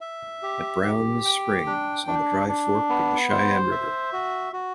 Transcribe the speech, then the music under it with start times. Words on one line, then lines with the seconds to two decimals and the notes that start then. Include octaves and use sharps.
At Brown's Springs, on the dry fork of the Cheyenne River.
0.01 E5
0.43 G4
0.83 G4
1.25 G5
1.66 D4
2.07 D4
2.49 D4
2.90 B3
3.30 C5
3.71 E5
4.13 F#4
4.53 F#4